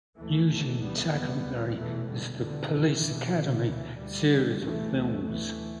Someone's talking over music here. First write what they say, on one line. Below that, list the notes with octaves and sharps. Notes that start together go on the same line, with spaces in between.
Eugene Tackleberry in the "Police Academy" series of films.
D2 E3 A3
E2 B2
D2 G3 B3
E2 B2 G3 B3
D2
E2 B2 E3 A3
E2 B2 D3 G3
E2 B2 D3 G3
E2 B2 E3
E2 B2
E2 B2 D3
D2 E3
D2 D3 G3
E2 B2
D2 E3 A3
D2
D2 E3 A3